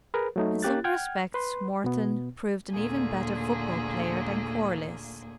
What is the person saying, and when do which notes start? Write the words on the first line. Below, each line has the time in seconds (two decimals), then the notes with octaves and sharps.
In some respects Morton proved an even better football player than Corliss.
0.14 G#4 A#4 B4
0.36 F#3 A3 D#4
0.63 A#3 C#4 G4 F#6 A6
0.84 F#5 G5 F6 G#6
1.34 B4 C6
1.84 B2 B3
2.71 D#2 A#2 D3 A3 A#3 G#4